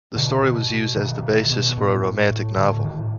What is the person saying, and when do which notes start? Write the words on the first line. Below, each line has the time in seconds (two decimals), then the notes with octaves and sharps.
The story was used as the basis for a romantic novel.
0.15 B2 D3
0.43 B2
0.70 B2
0.96 B2 D#3
1.23 B2
1.51 B2
1.78 A2
2.04 A2
2.31 A2
2.57 A2 D3
2.84 A2 D#3